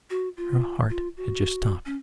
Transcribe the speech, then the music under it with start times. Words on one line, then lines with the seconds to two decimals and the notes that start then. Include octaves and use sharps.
Her heart had just stopped.
0.10 F#4
0.37 F4
0.90 F4
1.17 F#4
1.86 C#4